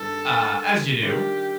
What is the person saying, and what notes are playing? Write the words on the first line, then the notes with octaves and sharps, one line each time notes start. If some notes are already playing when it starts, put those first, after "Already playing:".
uh, as you do,
Already playing: G2 D#3 G3 A4
D#3 G3 D4 F4 G4